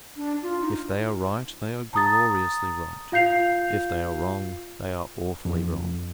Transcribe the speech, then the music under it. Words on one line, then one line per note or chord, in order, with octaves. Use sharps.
If they are right, they are gloriously right; if they are wrong, they are awfully wrong.
D4
F4
D#4
A5 A#5 D#6 A6
F4 F5 G6 C7 F7
F2